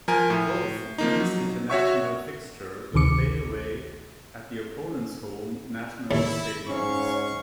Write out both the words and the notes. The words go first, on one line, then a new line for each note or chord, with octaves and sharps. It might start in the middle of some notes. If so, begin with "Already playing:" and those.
Both these International fixtures were played away at the opponents' home national stadiums.
F3 A#4 G#5
A2
F3 A#3 D#4
F#3
F#4 C#5 E5 C#6
A1 D2 C3 D#3 D6 C#7
D#2 A2 E4
G#2 C#4 F5 C#6